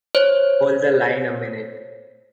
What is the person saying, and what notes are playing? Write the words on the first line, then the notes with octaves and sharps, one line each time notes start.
Hold the line a minute.
C5 C#5